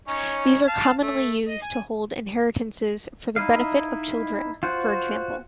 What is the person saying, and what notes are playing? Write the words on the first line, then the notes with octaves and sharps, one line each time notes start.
These are commonly used to hold inheritances for the benefit of children, for example.
C#4 D#4 C#5
F5 A5
A3
D#5
G#5
D#4 E4 D#5 F5
F4 F#4 C5 F#5